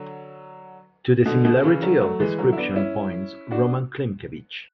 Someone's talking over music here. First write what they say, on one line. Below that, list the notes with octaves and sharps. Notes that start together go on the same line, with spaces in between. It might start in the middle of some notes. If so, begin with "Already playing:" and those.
To the similarity of the description points Roman Klymkevych.
Already playing: D3 F#3
B2 D3
B2 D3
C#3 E3
D3 F#3
F#3 A3
E3 G#3
D3 F#3
E4
B3 D4
C#4 E4
D4 F#4